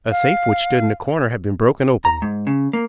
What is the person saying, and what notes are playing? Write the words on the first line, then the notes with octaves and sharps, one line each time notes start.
A safe which stood in a corner had been broken open.
F5
A#5
G#2
C#3
A#3